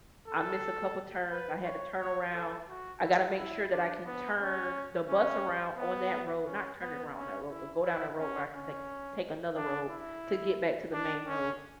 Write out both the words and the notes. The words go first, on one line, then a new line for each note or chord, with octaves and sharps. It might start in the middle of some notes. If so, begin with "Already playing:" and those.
I missed a couple of turns, I had to turn around, I gotta make sure that I can turn the bus around on that road, not turning around on that road, but go down a road where I can take take another road to get back to the main road.
A4
B4
C#5
C#5
A4
F#4
E4
E4
D4
B3
C#4
C#4
B3
C#4
B3
C#4
E4
E4
C#4
C#4
D4
E4
D4
C#4